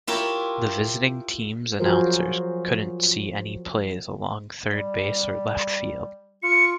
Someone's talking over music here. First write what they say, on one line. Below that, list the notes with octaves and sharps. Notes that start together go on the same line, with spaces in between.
The visiting team's announcers couldn't see any plays along third base or left field.
E4 F4 G4 A#4 C#5
F3 F#3 F#4 G#4 A#4 C5
G3
F4 C#7